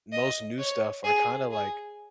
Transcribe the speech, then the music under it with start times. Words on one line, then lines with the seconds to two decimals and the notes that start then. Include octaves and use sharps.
most new stuff are kinda, like
0.12 D#5
0.58 C#5
1.05 G#4
1.51 G#4